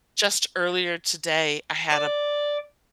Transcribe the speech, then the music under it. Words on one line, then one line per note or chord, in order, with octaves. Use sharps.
just earlier today, I had a
D5